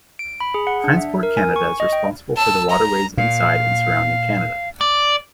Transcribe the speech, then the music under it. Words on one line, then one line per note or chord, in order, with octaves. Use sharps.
Transport Canada is responsible for the waterways inside and surrounding Canada.
D7
B5
G#4
F#5
D4
E5
A#4
G#5
C#6
D#5
G5
A5 E6
A#5
A#2 F5
D5